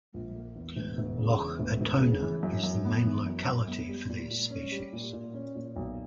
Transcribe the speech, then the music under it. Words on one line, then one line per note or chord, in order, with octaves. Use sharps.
Lough Atona is the main locality for these species.
A#1
A#3
E2
E1
E1
C#3
E2
E1
E1
C#3
E3
F#2
F#2
B3
E3
F#2
F#2
B3
G3
A#2
A#2
C#4
G3
A#2
A#2
C#4
A#2
B1